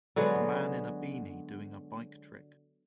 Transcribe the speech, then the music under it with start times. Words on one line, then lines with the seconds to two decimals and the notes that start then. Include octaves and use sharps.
A man in a beanie doing a bike trick.
0.16 D3 F#3 G#3 B3